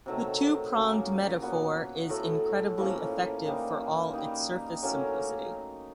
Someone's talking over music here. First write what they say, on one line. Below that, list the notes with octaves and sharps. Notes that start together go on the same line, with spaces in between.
The two-pronged metaphor is incredibly effective for all its surface simplicity.
C3 D#3 F#3 A3
C#3 F#3 A#3 C#4
A#2 F#3 B3
A2 F#3 A3
A2 F3 A#3 C#4
E3 G3 A#3 D#4
G3 A#3 D#4
A2 F#3 A#3 C#4